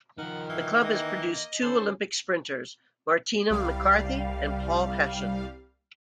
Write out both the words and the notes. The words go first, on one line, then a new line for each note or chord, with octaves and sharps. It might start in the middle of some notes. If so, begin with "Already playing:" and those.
The club has produced two Olympic sprinters, Martina McCarthy and Paul Hession.
D#3 F3 D#4 A#4 F#5
E3 F5
A#3 D#5
D#3 C#4 A4 C5
C2 G3 F5